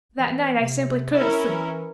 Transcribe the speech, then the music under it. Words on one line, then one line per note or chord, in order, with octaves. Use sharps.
That night I simply couldn't sleep.
E3
C3
C#4 E4 A#4
E3